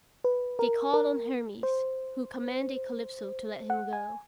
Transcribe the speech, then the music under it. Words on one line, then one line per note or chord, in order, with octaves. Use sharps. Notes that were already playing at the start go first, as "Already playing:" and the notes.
They called on Hermes, who commanded Calypso to let him go.
B4
A#4
A#4
C5
F#5
G#5